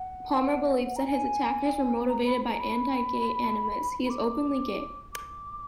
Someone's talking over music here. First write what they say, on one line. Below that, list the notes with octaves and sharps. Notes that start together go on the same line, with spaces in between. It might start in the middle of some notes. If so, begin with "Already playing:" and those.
Palmer believes that his attackers were motivated by anti-gay animus; he is openly gay.
Already playing: F#5
A#5
G#5
A#5
B5
A#5
B5
B5
D6
D6